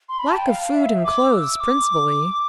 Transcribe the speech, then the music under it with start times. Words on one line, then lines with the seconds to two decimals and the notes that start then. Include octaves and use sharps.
"Lack of food and clothes principally."
0.09 C6
0.19 B5
0.28 A5
0.37 G5
0.46 F5
0.74 E5
1.04 D6
1.33 E6
1.60 D6